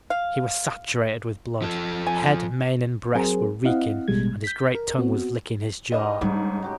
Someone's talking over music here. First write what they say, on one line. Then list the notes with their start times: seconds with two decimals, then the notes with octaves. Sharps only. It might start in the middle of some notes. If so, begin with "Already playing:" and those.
He was saturated with blood: head, mane and breast were reeking, and his great tongue was licking his jaws.
0.10 F5
1.62 F3 A4
2.07 G#5
3.15 F#3 C4 G#4 A#4 C5
3.64 C4 E4 D#5 F5 F#5
4.08 A1 B2 G3 G#3 G#6
4.44 G6 B6
4.75 A#4
4.98 B3 C4 F#4
5.92 E3 G3 D4 D#5
6.21 G#2 C#3 G3 A3 D#4
6.63 F#3 G#3 G4